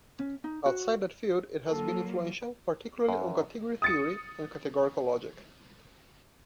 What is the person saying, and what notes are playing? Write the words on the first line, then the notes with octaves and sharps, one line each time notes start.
Outside that field, it has been influential particularly on category theory and categorical logic.
C#4
D#4
F#4
F#3 A#3 F4 A4
F#2
D#6 A6 C#7